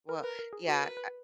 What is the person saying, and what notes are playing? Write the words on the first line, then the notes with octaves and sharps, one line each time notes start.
Well, yeah. Eh,
A#4
A#4 B4
A#4
G#4
F#4 B4
A#4
B4